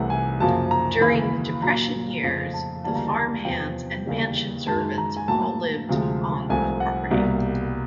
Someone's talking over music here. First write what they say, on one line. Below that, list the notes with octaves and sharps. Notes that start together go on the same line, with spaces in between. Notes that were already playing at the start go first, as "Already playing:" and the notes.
During the Depression years, the farmhands and mansion servants all lived on the property.
Already playing: C2 C3 E3 A3 F#5
G#5
F#2 C#3 F3 A#3 A5
A#5
D#2 C#3 E3 B5
A#2 F#3 A#3 A#5
F2 C#3 F3 A3
A5
D2 C#3 E3 G3 A#3 A5
A#5
A5
E2 C3 F3 G5
D#2 C#3 E3 G3
F#2 D#3 G#3 A5
A#5
G#5
A2 F#3 A#3 A5
D2 C3 F3 G#3
C2 C3 F3 A3 G#5
F#5
C2 B2 G3 A#3